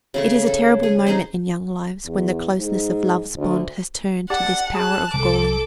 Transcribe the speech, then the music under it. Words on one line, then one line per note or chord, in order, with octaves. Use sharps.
It is a terrible moment in young lives when the closeness of love's bond has turned to this power of galling.
C#3 A3 C#6
A4
G#4
C#4 D#4 G#4 C5
E2
G#2
D2
G4 D5 F#5 A5
G#4 A5 F#6
C2 A4 D6